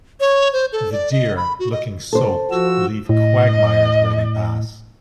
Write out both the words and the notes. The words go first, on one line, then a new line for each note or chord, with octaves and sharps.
The deer, looking soaked, leave quagmires where they pass.
C#5
C5
A4
D5
D#5
B5
F#4
D#5
A4 C5
F3 F#4 E6
A2 D#5